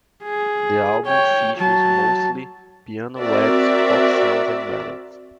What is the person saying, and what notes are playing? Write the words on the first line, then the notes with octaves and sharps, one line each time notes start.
The album features mostly piano-led pop songs and ballads.
G#4
C#5 G5
F#3 A5
C4 F#4 A#4 D5 E5